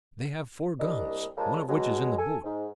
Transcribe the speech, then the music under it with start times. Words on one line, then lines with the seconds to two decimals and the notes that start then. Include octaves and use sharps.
"They have four guns, one of which is in the boat."
0.80 C2 G3 A#3 D4 D#5
1.37 C#3 F3 G3 G#3 A#3 A5
1.69 B2 F#3 G#3
2.19 A4 G#5
2.44 G#2